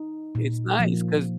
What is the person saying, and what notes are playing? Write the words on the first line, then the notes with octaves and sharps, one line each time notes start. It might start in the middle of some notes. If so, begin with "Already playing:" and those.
it's nice 'cause
Already playing: D#4
A#2
F3 A#3